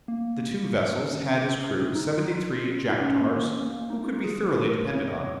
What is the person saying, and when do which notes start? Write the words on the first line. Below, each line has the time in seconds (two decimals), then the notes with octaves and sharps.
The two vessels had as crew seventy-three jack-tars, who could be thoroughly depended on.
0.08 A#3
1.12 C#4
1.95 D#4
2.17 F4
2.37 F4
2.79 F4
2.88 D#4
3.00 C#4
3.10 C#4
3.21 A#3
3.52 C#4
3.61 A#3
3.75 A#3
3.90 D#4
4.03 F4
4.14 F4
4.24 G#4
4.46 G#4
4.65 A#4
4.86 C#5
4.97 C#5
5.08 D#5
5.18 C#5